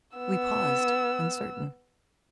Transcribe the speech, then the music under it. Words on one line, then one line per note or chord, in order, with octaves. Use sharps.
We paused uncertain.
B3 E6